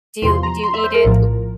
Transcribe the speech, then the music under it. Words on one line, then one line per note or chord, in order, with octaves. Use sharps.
Do you do you eat it l
E2 C3 F3 C6
A#5
C6
E5
C5
A#4
A#1 A2 F3